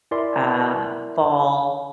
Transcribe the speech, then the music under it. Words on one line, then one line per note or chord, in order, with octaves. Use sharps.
uh, fall,
E4 A#4 D5 E5 G#5 C6